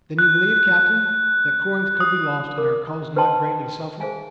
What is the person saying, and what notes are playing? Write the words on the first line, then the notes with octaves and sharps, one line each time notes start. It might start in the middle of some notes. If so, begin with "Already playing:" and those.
"Then you believe, Captain, that Corinth could be lost, and our cause not greatly suffer?"
F#6
D#6
A#4 D6
B4 C5 D#5 G5 A5 C6
G#4 C5 E5 F5 G#5